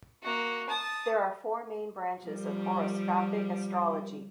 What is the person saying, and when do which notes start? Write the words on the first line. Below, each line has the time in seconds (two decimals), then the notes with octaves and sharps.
There are four main branches of horoscopic astrology.
0.23 A#3 F#4
0.69 A5 D#6
2.22 F3 G3